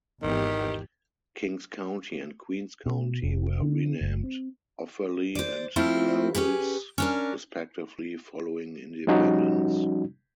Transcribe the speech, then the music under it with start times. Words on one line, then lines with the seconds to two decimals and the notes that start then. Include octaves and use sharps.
King's County and Queen's County were renamed Offaly and Laois respectively following independence.
0.23 G#1 E2 D#3 G4
2.86 B2
3.23 F1
3.62 D3
4.01 F#1
4.24 C4
5.35 C5 D5
5.76 F3 A3 C4 E4 F4
6.35 C#4 G4 G#4 B4
6.98 C#4 D4 A#4
9.07 F3 G3 C#4 D#4 F#4